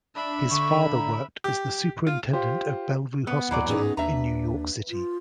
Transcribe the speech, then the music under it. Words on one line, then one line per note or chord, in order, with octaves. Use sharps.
His father worked as the superintendent of Bellevue Hospital in New York City.
D4 E5 B5
D3 C#6
A#5
G4
F4
F4 G4 C5
B3 F#5
D#2 E3 F#3 D5
G#2 B3 C#4 D#4 G#4
D#2 D4 B4 E5 A#5
F4